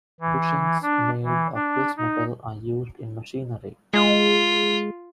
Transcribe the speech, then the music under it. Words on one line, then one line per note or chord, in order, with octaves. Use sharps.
Bushings made of this metal are used in machinery.
E3
D4
E3
D4
D#4
G#3 F4